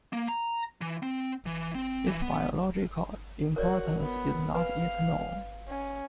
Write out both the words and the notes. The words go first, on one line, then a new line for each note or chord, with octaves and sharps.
Its biological importance is not yet known.
A#3
A#5
E3
C4
E3
C4
E3
B3
F#4 A#4 C#5 D5
B3
B4 F5 G#5
C#4